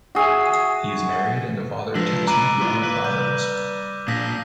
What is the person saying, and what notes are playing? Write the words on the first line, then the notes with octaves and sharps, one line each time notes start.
He is married and a father to two grown-up daughters.
F#4 G#4 E5 G#5
F3 G#3 D4 F4 B4 E6 A#6 B6
G#3 A#5 B5 D6 F#6 D#7
E4 F4
A#3 B4
G3 D6 G6
A#2 A#3 D4 D#6 A#6 B6